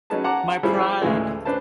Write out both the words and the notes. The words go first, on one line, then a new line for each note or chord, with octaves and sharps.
My Pride!
F#3 C#4 D#4 G#4 B4 A5
F#5 A5 A#5 D6
F3 G3 E4 G#4 C5 C#5
D2 A2 C#3 E3 G#3
D4 B4 C5 A5